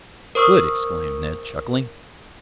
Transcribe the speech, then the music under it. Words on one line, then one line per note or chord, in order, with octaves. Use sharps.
"Good!" exclaimed Ned, chuckling.
A#4 C5 C#6 D#6 E6